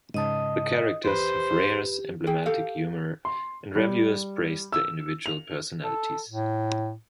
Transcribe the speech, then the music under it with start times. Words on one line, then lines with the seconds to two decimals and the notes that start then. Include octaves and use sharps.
The characters have Rare's emblematic humor, and reviewers praised their individual personalities.
0.14 G#2 C#3 D#5 A5 D#6
1.05 E2 G4 B4 C5
2.27 E4 G#4 G5
2.46 G4 A4 F5
3.25 C6
3.76 G3
4.72 E6
5.26 F7
5.84 A4
6.29 A2